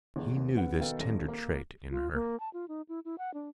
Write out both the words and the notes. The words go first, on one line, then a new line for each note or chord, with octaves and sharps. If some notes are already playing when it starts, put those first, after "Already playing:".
He knew this tender trait in her.
G1 E2
D#2
F2 C#3 B3 F#5
B2 D#3 B3 A4 F5 G5
D#1 G#1 A#6
A#3
F4
A#3
A5
F4
D#4
E4
E4
F#5
D4